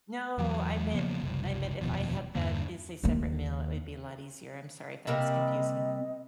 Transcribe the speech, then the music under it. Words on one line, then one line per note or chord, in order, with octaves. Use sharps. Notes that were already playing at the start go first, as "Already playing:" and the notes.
No. I meant I meant if I had that as a separate meal, it would be a lot easier. I'm sorry if that was confusing.
E2 E3 F#3
C#3 F3 A#3 B3
F#1 C2
F1 D#2 B2 F3
E2 G2 D3 A#3
D#2 A#3
C3 G3 A#3 D#5